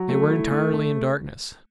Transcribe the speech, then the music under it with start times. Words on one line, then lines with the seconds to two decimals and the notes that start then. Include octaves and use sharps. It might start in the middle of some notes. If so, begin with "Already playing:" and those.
They were entirely in darkness.
Already playing: F#3
0.09 A3
0.30 E4
0.51 A3
0.73 A3